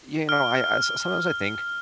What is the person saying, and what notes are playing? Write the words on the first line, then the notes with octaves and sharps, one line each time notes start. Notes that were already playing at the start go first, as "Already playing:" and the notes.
You know, I I s sometimes I think
F6